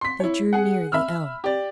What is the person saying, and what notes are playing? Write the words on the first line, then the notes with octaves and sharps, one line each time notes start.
They drew near the elm.
C6 B6
E4 C#5
G#4 F#5
E5 B5 E6 F6
G4 D5